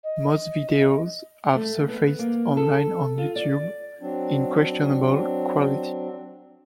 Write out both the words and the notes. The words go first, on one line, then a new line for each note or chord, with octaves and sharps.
Most videos have surfaced online on YouTube in questionable quality.
D#5
A3
B3
A#3
A4
F4
D5
F#3 C4 D4